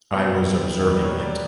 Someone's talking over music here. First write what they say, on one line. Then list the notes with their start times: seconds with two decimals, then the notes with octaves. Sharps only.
I was observing it.
0.13 B2 G3 B3 G4
0.85 B2 G3 B3 A#4
1.03 A#4 C#5
1.20 B4 D5